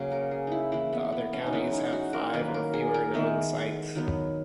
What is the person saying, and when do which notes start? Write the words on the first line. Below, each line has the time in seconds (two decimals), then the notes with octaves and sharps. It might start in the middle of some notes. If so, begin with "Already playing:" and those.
The other counties have five or fewer known sites.
Already playing: C#3 F#3 A#3 C#5
0.12 A#4
0.31 G#4
0.47 D#4 E4
0.72 E3 A#3 E4
0.93 B3
1.12 B3
1.33 C#4
1.46 D#4
1.53 E3 G#3 B3 C#4
1.73 D#4
1.93 F#4
2.13 A#4
2.33 D#3 F#3 A#3 B4
2.54 A#4
2.74 G#4
2.94 A#4
3.14 D#3 G#3 B3 E5
3.95 D#3 F#3 B3